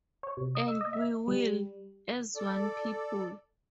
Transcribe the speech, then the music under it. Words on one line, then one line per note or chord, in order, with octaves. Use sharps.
And we will, as one people.
C#5
C3
D#5
E6
D#5
E5
G3
A4 D5